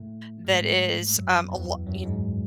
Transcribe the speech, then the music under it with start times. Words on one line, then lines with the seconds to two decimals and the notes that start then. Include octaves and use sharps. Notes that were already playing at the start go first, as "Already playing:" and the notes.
that is, um, a lo y kn
Already playing: A2 A3
0.45 G#2 G#3
1.15 F#2 F#3
1.51 E2 E3
1.86 F#2 F#3
2.04 G#2 G#3